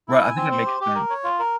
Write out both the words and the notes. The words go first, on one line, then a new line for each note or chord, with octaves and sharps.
right, I think that makes sense.
E4
G#5
C4
C5
G4
G4
A#4
C#5
F4
A#4